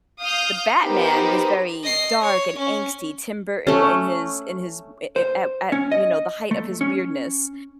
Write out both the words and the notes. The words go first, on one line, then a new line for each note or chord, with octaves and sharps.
the Batman was very dark and angsty, Tim Burton in his in his i i at at, you know, the height of his weirdness,
F5 D#6 F6 G6
B3 D#4 G4 A#4 C5
D#5 C7
C#5
C#4
A3 C#4
C5
C#4
D#5
A3
C#4